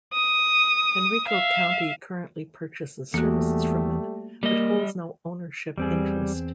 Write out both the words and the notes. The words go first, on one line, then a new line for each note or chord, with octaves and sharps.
Henrico County currently purchases services from it, but holds no ownership interest.
D#6
E5 F5
E2 G3 A3 A#3 F#4
G3 A#3 D#5
E2 G3 C4 G#4